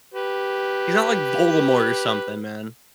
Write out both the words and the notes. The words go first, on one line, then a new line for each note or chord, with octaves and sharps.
he's not, like, Voldemort or something, man.
G4 B4